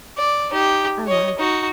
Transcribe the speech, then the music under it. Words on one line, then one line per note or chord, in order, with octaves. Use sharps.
Oh, my.
D5
D#4 G4
C#5 D#5
D#4 F#4